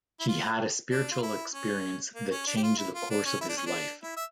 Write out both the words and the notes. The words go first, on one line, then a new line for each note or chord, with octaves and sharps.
He had a spiritual experience that changed the course of his life.
E4
F4
D4
F4
E4
C#4
A#3
C#4
D4
G4
F4
E4
F4
D4
C#4
E4
D4
C#4
D4
E4
E5